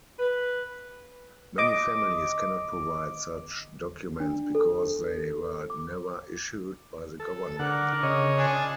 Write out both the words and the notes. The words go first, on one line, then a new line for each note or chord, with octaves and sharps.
Many families cannot provide such documents because they were never issued by the government.
B4
D#5 D6
D4
A4
D6
A4
D3 A#4 F#5 D6
C#3 C#5 D#5
D4 F4 G#5